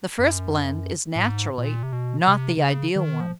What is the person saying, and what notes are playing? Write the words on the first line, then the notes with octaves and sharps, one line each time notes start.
The first blend is naturally not the ideal one.
F#2
A2
G#2
A#2
C3
B2
C3
D3
C#3
D#3
F3